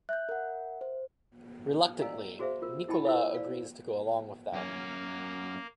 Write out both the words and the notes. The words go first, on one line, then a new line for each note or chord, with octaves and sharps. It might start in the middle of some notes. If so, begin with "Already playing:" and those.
Reluctantly, Nicola agrees to go along with them.
E5 F#6 G6
A#4 F#5
C5
A#4 D5 D#5 F5 G#5 A#5
F#4 G#4 C5 E5 F5
F4 A#4
E4 D#5 G5 A5 B5
E4 F4 A4 C5 E6
D5 F5
F#2 A#3 C#4